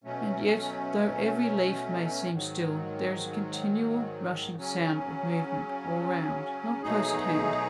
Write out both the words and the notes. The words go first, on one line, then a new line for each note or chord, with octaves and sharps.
And yet, though every leaf may seem still, there is a continual rushing sound of movement all around--not close at hand.
B2 F#3 A3 C#4
G#2 D#3 F#3
C#3 F#3 C#4
B2 F#3 A3 D#4 G#4